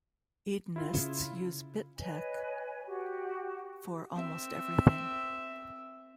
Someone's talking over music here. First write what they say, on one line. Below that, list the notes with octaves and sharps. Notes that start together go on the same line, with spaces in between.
Edenists use bitek for almost everything.
E4 F4
C#3
B4 C#5 D#5 G#5
F#4 G4
C4 E5